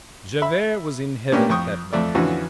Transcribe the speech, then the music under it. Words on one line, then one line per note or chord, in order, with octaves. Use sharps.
Javert was in heaven at that moment.
E5 B5
A2 A#3 B3 C#4 D4 G4
F2 G5 C#6 D#6
F2 A3 D5
F2 D3 E3 C#4 F#4